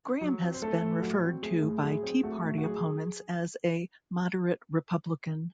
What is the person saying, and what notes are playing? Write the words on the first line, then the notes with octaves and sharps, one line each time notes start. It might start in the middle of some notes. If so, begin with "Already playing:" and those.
Graham has been referred to by Tea Party opponents as a "moderate Republican".
F#3
C4
C5
A3 A4
A2
F#3 F#4
C4
A3 G#4
A2
F#3 G#4
C4
A3 F#4
A2
F#4
F#3 G#4